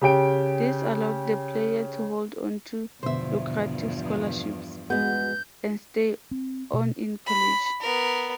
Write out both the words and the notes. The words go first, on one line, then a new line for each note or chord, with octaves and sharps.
This allowed the player to hold onto lucrative scholarships and stay on in college.
C#3 G4 G5 D7
E2 G2 B2 D3 F3 B3 C5 E5
G#3 B3 F#4 G#4 F#5 G6
C4
B2
B5
B3 A#4